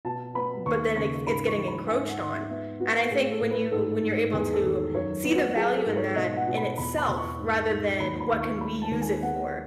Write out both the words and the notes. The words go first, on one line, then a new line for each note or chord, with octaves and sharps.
but then it's it's getting encroached on. And I think when you when you're able to see the value in that in itself, rather than what can we use it for,
B2 A5
B3 B5
D#2 C#6
C#3 C#6
G#2 B5
C#6
E3
B5
G#2 G#5
F#5
G#2
E5
B3 E5
B3 F#4
A2 G#4
A4
A2
B4
G#2 A4
G#2
E2 G#4
A4
D#3
F#2 C#5
B3
F#4
F#3 G#4
A4
G#2
C#5
B2 D#5
F#5
B2
B5
E2 B5
B5
E2
C#6
G#2
G#2
D#2 B5
B5
D#2
C#6
G#3 B5
A5
D#2
G#5
B3 F#5